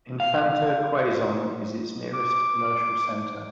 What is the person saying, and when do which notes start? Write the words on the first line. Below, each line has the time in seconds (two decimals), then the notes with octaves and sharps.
Infanta, Quezon is its nearest commercial center.
0.20 F5
2.13 D6